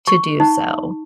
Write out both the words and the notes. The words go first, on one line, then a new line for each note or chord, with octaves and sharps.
to do so."
C#6
D#4